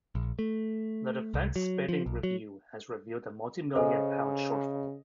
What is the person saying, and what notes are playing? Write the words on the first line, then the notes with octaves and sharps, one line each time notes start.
The Defence Spending Review has revealed a multi-million pound shortfall.
A#1
A3
C2
F#3
F3
B1
F#3
C#3 A4 C5 D#5 G#5